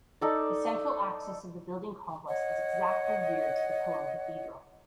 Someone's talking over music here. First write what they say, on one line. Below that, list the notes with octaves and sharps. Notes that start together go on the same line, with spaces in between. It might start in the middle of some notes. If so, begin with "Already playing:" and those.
The central axis of the building complex is exactly geared to the Cologne Cathedral.
D#4 A4 D5
C#5 D#5 F#5